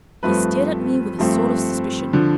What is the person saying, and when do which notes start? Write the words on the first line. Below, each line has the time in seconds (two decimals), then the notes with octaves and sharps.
He stared at me with a sort of suspicion.
0.23 G2 F3 A3 C4 B4
1.18 G2 F3 A3 C4
2.13 D3 F3